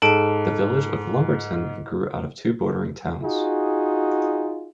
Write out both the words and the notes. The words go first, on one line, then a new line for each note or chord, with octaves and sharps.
The village of Lumberton grew out of two bordering towns.
G#2 A4 A5 D7
D#4 F4 F#4 G#4